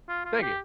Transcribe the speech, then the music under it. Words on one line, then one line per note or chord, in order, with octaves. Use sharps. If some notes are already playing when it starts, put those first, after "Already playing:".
Thank you.
F4
F4
G4